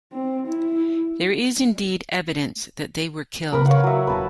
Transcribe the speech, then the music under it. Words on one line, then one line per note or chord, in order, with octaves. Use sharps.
There is indeed evidence that they were killed.
C4
E4
C#3 A#3 A#4 B4
C#5 F5 F#5
F#3 E5
E1 F4 B4 A5